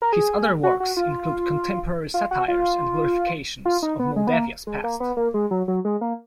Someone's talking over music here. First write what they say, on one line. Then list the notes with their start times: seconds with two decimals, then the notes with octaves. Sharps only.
His other works include contemporary satires and glorifications of Moldavia's past.
0.02 A#4
0.13 G#4
0.63 F#4
0.80 F#4
0.97 F4
2.14 F4
2.31 F#4
2.48 F4
3.65 F4
3.83 D#4
3.99 B3
4.16 G#3
4.27 B3
4.33 A#3
4.67 G#3
4.84 A#3
5.00 B3
5.17 A#3
5.34 G#3
5.51 F#3
5.68 F#3
5.85 G#3
6.01 A#3